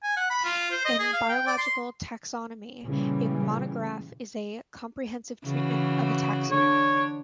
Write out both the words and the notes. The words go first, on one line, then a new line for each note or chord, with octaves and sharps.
In biological taxonomy a monograph is a comprehensive treatment of a taxon.
G#5
F#5
B5
F4
C5
D#5
G#4
F5
G5
D5
C6
A#2 C#3 E3 G3
C#3 E3 F#4
D3 D4 C#5